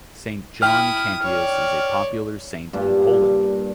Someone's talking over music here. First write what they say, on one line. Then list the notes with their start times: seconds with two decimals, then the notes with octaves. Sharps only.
Saint John Cantius is a popular saint in Poland.
0.62 E4 G5 D#6 F6
1.23 C#5 D5
2.73 G2 A#2